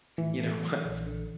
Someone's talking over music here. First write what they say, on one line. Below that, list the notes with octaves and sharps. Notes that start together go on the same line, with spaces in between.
you know what,
A2 E3
A3
F#3
A#1
D3